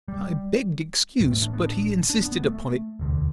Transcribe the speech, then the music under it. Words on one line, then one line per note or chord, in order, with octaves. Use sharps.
I begged excuse; but he insisted upon it.
G3
A1 A2 E3
A3
D4
B3
D4
D4
B3
B3
A3
E1 D2 D3